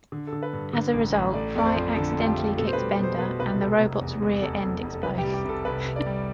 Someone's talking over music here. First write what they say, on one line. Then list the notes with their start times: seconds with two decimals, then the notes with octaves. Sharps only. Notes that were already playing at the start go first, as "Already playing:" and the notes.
As a result, Fry accidentally kicks Bender, and the robot's rear end explodes.
0.12 D3
0.27 A4
0.32 D3
0.43 B4
0.53 G2
0.73 D3
0.93 A1
1.14 A1
1.34 A3 D5
1.55 F2 D5
1.66 C5
1.76 F3
1.96 D3 A4
2.17 F2 F4
2.26 G4
2.37 A3
2.58 B2 A4
2.68 C5
2.73 B4
2.78 G3
2.99 B2 C5
3.18 B2 B4
3.39 C2 B4
3.59 C2 A4
3.80 F1
4.01 E2
4.22 E2
4.41 F1 A4
4.62 F1
4.83 F1
4.94 A4
5.03 C2 B4
5.18 G4
5.23 G3
5.33 G4
5.45 C2 A4
5.65 C2 B4
5.85 C2
5.96 D5
6.06 G3